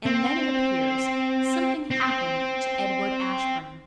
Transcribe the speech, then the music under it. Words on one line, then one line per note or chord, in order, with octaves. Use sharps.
And then, it appears, something happened to Edward Ashburnham.
C4
C4